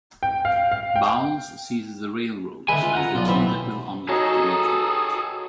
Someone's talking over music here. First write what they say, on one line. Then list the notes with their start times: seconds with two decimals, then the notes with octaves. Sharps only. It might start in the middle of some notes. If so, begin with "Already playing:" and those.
Bowles sees the railroads as the key that will unlock the region.
0.23 G5
0.45 F5
0.72 F5
0.96 G5
2.68 D3 G#3 B4 E5 G#5
2.83 F4
2.95 F#5 A#5
3.15 B1 F4 D5
3.27 E3 C4 E5
4.09 F#3 D#4 F#4 G#4 A4 D#6